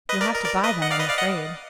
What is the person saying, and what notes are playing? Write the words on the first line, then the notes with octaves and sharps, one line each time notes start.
"You'll have to buy them, I'm afraid."
B4 D#5
A#4 D5
A#4
A#4 D5
B4 D#5
D#5 F#5
D5 F5
B4 D#5
D5 F5
D#5 F#5